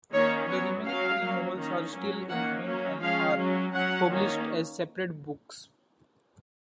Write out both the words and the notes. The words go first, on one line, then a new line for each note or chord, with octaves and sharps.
The remaining three novels are still in print and are published as separate books.
D#3 A#3 C#4 C#5
F#3 B3 C#5
F#3 C#4 F5
F#3 A#3 C#4
D#3 A#3 C#4
F#3 C#4
D#3 A#3 C#4 F#5
F#3 A#3 C#4
F3 G#3 C#4 F5
F#3 C#4
F#3 C#4 F#5
D#3 A#3 C#4